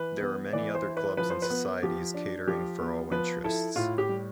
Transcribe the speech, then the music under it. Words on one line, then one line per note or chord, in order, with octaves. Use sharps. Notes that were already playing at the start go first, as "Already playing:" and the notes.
There are many other clubs and societies catering for all interests.
Already playing: E3 B4
B3
E3 D5
C5
E4
B4
F3 B4
C5
B4
B3
F3 G4
D4
F3 G4
B3
F3 B4
E4 A4
A2 F4
G4
G3